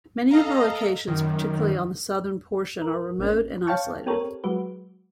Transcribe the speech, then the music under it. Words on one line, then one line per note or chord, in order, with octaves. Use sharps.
Many of the locations, particularly on the southern portion, are remote and isolated.
A4 D#5 F5 A#5
F#2 D#3
A#4
A1 A#3 C#4
C#5 F5 G5 A5 C#6
B3 C4 G4 A4 A#4 C#5
F#3 G#3 F#4 B4